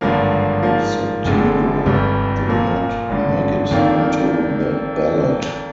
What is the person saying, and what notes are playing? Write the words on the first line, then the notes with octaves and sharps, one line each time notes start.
Sotelo did not make it onto the ballot.
G#1 G2 D3 F3 A#3
G#2 F3 A#3 F4
F1 F2 D3 G#3
G1 F2 C3 G3
A#2 F3 A#3
G#1 G2 D3
F2 D#3 A#3 D4 F4